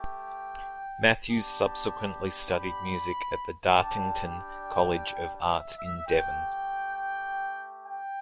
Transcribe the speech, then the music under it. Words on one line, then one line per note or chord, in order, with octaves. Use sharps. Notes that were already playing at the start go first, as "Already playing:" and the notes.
Matthews subsequently studied music at the Dartington College of Arts in Devon.
Already playing: A3 G4
G5
B3 D4 G4 A5
B5
G3 D4 G4 A5
G5
E5
E5
A3 G4 G5
G5